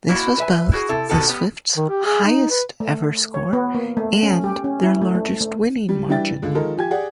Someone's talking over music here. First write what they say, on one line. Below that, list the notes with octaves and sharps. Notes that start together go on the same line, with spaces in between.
This was both the Swifts highest ever score and their largest winning margin.
A#3 E4 F#4
B4 E5 G#5
E4 F#4 G#4
C3 E4 A4
B2 D#3 G4 A4
B3 G4
D#3
G4
G#4
D#4
B4
A3
C#5
B3
A#3
A3
C#4
G4
C#4
E4
A3
A3
A3
G3
E3 G3 D4 E5 G5 A6
C#2 D3
D#3 F3 G#3 A4 A#4
F3 G4 G#5 G#6
G4 G#4 D5 F#5 G5